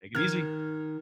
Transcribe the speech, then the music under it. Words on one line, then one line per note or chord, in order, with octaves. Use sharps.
Take it easy,
D#3 F6 G#6